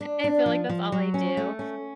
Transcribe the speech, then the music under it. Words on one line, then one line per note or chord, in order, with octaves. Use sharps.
I feel like that's all I do.
D4
D4
F3
F3
F#3
C#4
A3
C#4